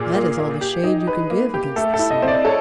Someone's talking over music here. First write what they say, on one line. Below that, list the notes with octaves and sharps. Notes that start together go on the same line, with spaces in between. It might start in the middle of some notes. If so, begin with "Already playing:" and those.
"That is all the shade you can give against the sun."
Already playing: A#2 F4 G#4
A#3
A#3
G4
D#4
B4
A#3
G4
A3 A4
A4
E4
D#5
C4
D5
A4 C#5